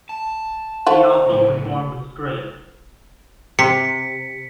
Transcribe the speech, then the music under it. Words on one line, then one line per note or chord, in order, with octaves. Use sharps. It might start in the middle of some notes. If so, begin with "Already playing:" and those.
He also performed with Skrillex.
A5
A3 F4 F#4 C5
C#2 A2
C3 B6 C#7